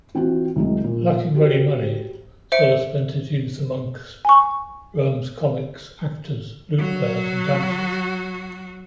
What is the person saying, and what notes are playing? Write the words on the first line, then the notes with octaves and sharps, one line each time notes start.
Lacking ready money, Sulla spent his youth amongst Rome's comics, actors, lute-players, and dancers.
E3 C4 F4 F#4
C2 F#3 G#3
A#2
F#4 G4 C5
C5 E5 C#7 D7
G#5 C#6
F#3 F#4